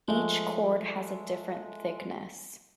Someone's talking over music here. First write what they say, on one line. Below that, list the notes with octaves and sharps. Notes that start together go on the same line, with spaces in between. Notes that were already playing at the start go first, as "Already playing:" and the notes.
Each chord has a different thickness.
F3 G#3 A3